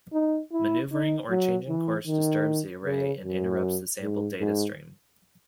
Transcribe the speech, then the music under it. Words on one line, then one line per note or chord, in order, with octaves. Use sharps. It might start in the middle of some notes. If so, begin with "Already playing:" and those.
Maneuvering, or changing course, disturbs the array and interrupts the sampled data stream.
D#4
E4
D#4
F#3
E3
D#3
C#3
F#2
G#2
G#2